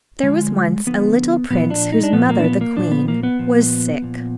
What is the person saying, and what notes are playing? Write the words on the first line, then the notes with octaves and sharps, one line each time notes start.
There was once a little prince whose mother, the queen, was sick.
D3 F3 G#3
D3 F3 B3
A#2 F3 B3
D4
D#4
D4
A#2 F3 B3
A#3
D4
B3
A#3
A#2 F3 D4
B3
A#3
B3
A#2 F3
A#2 F3